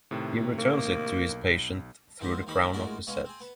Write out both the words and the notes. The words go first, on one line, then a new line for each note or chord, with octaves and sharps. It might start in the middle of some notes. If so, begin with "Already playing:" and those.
He returns it to his patient through the crown of his head.
A2 C3 D#3
A#3
B1
D#3 F3 G#3 B3 C5
D#2 D#3 D#4 C5 B5
A#1 A2 G#3 F4 F#4 A#4
B2 G#3 C#4 F4
C4 G#4
B3